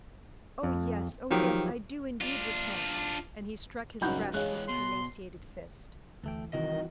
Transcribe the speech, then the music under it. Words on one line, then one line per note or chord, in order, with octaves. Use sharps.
"Oh, yes; oh, yes, I do indeed repent." And he struck his breast with his emaciated fist.
F2
D#3 F3 F#3 G4
D4 F4
C#2 F#2 G3 D#4 F#4 B5 F#6 G6
E3 G#3 G#4 C#5 F5 F#6
B2 C6
D2 E3 A3 G5
C2 C3 D#3 E3 F#4 D#5